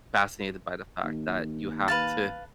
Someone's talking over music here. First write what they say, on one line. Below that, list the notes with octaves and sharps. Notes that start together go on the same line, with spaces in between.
fascinated by the fact that you have to
D#2
B4 F5 A5